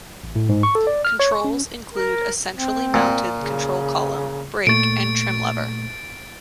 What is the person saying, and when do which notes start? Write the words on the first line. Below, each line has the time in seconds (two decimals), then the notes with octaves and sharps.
Controls include a centrally mounted control column, brake and trim lever.
0.23 A1
0.35 A2
0.49 G#2
0.63 C#6
0.75 A4
0.87 D5
1.05 F6
1.20 C#5
1.32 C#6
1.45 C#4
1.93 A#4
2.54 C4
2.94 A#2
3.36 C#3
4.67 A#2 A3 C#6 A6 D7